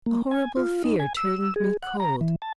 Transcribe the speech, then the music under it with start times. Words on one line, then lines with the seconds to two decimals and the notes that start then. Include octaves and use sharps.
A horrible fear turned me cold.
0.06 A#3
0.31 G#5
0.57 F4
0.84 D#4
1.00 G#5
1.17 E6
1.56 G#4
1.82 F#5
2.00 A#5
2.21 E3
2.42 A5